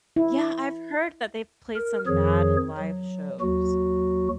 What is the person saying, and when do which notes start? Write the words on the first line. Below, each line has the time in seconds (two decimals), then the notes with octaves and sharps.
Yeah, I've heard that they've played some bad live shows.
0.16 E4
1.76 A#4
2.07 F2 D#3 F3 G#4 C#5
2.78 F#3
3.41 D#2 F#3 F#4